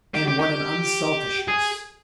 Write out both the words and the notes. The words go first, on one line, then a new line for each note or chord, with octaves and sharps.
And what an unselfishness!
G4
G4
G4
G#4